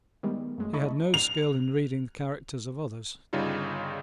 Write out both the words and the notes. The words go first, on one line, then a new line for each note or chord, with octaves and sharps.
He had no skill in reading the characters of others.
D#3 G3 G#3 B3
F#2 G#3 A3
D#4 E4 D#5 A5 B5 C#6
F7
G1 C#3 G3 D#4 F4